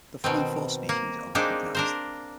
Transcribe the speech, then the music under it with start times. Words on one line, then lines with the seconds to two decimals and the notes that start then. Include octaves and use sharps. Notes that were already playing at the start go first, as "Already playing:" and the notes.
The following four species are recognized.
0.24 B2 D#3 C4
0.89 A#3
1.35 G#3 A#3 C4 D4 D#4
1.75 D4 A#4 C5